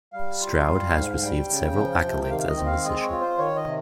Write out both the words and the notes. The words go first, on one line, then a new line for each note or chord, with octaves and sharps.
Stroud has received several accolades as a musician.
G3 F5
F4
G3
G#2
G3 G5
C#3
F3
C3
G5
D#3 F5
F5
D#5
C4
F5
G#3 D#5
C#5
F4
C5
D#3 C#5
D#5
C3